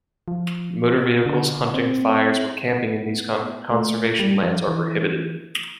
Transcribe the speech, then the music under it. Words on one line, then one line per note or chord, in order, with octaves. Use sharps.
Motor vehicles, hunting, fires, or camping in these conservation lands are prohibited.
F3
D3
C4
B3
A3
G3
F3
E3